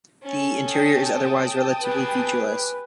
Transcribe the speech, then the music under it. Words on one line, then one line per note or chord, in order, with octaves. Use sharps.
The interior is otherwise relatively featureless.
C#4 A4
G5 A5 D#6
G4 G#4 B4